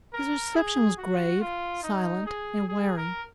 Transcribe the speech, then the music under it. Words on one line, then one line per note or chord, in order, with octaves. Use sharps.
His reception was grave, silent, and wary.
A#4
G#4
F#4
F4
D#4
G#4
G#4
A#4